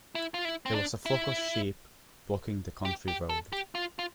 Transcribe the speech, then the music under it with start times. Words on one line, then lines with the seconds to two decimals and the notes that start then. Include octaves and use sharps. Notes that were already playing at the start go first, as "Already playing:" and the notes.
There was a flock of sheep blocking the country road.
0.15 E4
0.34 F4
0.45 E4
0.66 C4
0.75 D4
1.06 E4
2.85 G4
3.08 G4
3.29 A4
3.53 G4
3.75 F4
3.99 F4